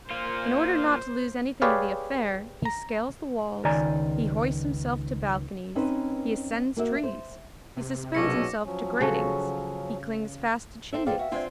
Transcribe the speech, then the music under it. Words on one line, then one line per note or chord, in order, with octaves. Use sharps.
In order not to lose anything of the affair, he scales the walls, he hoists himself to balconies, he ascends trees, he suspends himself to gratings, he clings fast to chimneys.
A#3 F4 C5
G4 G#4 B4 C#5 D5 F5
A#5
C#2 D#3 D5 G#5 A#5
C4 C#4 D#4 B4 C5
A#3 F#4 E5
C5
C3
B1 A#2 G#3 A3 C#4 D6 A#6 C#7
F3 F#3 C#4
C#3 F#4 A4
C4 A4 E5
F3 G#4 A4 B4 D5 F5 G5
F#4 E5
C4 D4 F4 C5 D5